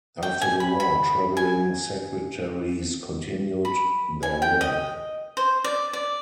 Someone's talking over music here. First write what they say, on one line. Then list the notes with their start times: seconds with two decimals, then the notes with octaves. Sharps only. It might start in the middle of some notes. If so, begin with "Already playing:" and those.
After the war, travelling secretaries continued their work.
0.23 G5
0.42 G#5
0.60 B5
0.80 B5
1.37 G#5
3.65 B5
4.23 G#5
4.42 G5
4.61 D#5
5.37 C5
5.64 D5
5.93 D5